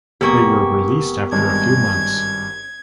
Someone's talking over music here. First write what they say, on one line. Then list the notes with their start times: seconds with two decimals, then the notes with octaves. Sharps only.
They were released after a few months.
0.21 F1 A#3 B3 G4 G#4 C#6
1.32 G#1 G2 G#3 G#6